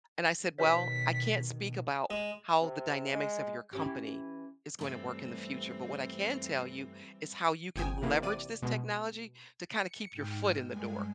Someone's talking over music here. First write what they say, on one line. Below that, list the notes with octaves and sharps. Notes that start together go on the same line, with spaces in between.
and I said, "Well, I can't speak about how the dynamics of your company is going to work in the future, but what I can tell you is how you can leverage this technology to kinda keep your foot in the door,"
B2 D#3 G4 B4 C#5 B6
G#3
C3
G#3
E3 C#4 G4
G2 E3 G3 A3 C4
G1 F2 G5 G#5 D#6
C3 E3 A#3
C3 D5 D#7
B2 G#3
C#7
G#2 G5 F6
G2 G#3 G#5